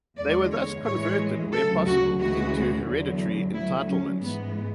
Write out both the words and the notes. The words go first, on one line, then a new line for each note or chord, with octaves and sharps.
They were thus converted where possible into hereditary entitlements.
E2 D3 G#3 D5
C#5
A2 E3 G#3 C#5
D2 C#3 F#3 A4
F#4
D2 C#3 E3 G#3 F#4
E2 D3 F#3
D2 D3 F#3 E4
C#4
G#2 E3 G#3 B3